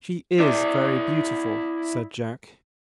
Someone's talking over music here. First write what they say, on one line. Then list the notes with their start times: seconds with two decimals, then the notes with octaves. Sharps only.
"She is very beautiful," said Jack.
0.40 E4 D5